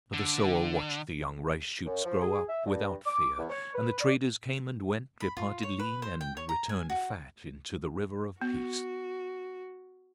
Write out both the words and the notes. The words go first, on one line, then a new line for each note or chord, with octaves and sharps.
But the sower watched the young rice-shoots grow up without fear, and the traders came and went, departed lean and returned fat into the river of peace.
D3
F#2
F3
G#4
E5
G2
D6
E2
C#5
B4
D5
B5
F4
C#5
B4
C5
G5
C#5
A#5
G#5
F#4
B3 F#4